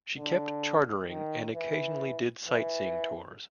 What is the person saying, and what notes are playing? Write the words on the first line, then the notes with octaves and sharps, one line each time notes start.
She kept chartering and occasionally did sightseeing tours.
D3
D#3
E3
E3